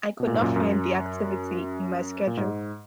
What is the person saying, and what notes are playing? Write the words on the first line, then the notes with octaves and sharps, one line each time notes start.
I could not find the activity in my Schedule.
B2
A#2
G#2
F#2 A#2
F#2
A#2
G#2